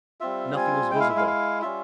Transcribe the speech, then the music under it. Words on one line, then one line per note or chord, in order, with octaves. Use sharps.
Nothing was visible.
G3 C4 F4 E5
G#5
G#3 E4 G5
F5
E5
F5
F5
G3 C#4 F4 E5